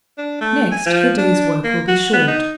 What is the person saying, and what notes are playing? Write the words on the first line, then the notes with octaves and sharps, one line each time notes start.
Next, the day's work will be short.
D4
A3
G#5
F3
D4
A#3
F#4
B3
D#4